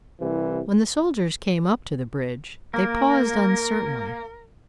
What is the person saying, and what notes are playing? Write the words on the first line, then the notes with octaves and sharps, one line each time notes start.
When the soldiers came up to the bridge, they paused uncertainly.
C2 C3 E3
A#3 A#4